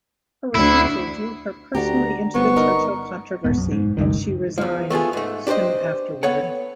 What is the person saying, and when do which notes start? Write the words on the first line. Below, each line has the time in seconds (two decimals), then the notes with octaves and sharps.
Her refusal drew her personally into the Churchill controversy, and she resigned soon afterward.
0.55 D2 E4
1.75 D2 D4 F#4 G4 A#5
2.35 G1 B3 C4 C#6
2.56 D4 D#4 A#4
3.44 D#1 G#2 B3
3.58 B1 F#2
3.72 G#2
3.97 F#1 C#2 G2 D#3
4.58 E2 F3
4.90 A3 B3 F4 G#4
5.13 G#2 A3
5.47 D4 G4 B4 C5 D#5
6.23 B3 A4 C#5 F#5